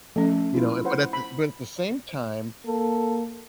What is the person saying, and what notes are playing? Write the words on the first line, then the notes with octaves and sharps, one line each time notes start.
You know? But at the but at the same time,
F3 A3 C#4
E4 F4
B4 C5 F#5
B5
A#3 A4